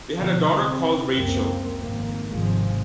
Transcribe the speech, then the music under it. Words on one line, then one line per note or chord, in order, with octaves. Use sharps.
They had a daughter called Rachel.
B2 D3 F3
C3 C4
C#2 F#2 A#3 C4
G#1 F2 A#3
G#1 G#2 C3 F3 G#3